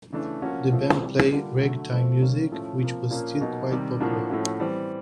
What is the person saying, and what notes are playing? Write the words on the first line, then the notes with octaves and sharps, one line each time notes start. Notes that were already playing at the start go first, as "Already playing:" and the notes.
The band played ragtime music, which was still quite popular.
C#3 E3 A3 D4
F3 A#3 C#4 F#4
F3 A3 C4 F4
C3 E3 G3
D3 G3 A#3 D4 F4
D3 F#3 A3
F3 A3 C4
D#3 G3 A#3 C#4
A2 F3 A3 C#4
C3 F3 A#3
A#2 F3 A#3 C#4
B2 F#3 A#3 D#4
C3 D#3 G3
A2 F3 A#3 D4 F#4
A2 F3 A3 C#4 F#4
E3 G3 C4